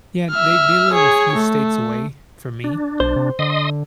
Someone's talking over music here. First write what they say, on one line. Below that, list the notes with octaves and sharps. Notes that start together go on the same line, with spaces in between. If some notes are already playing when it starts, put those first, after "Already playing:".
Yeah, they they live a few states away from me.
E5 F6
G#4 C#5
A3
D4
B1 C5
C3
D3 D#5 C6 D#6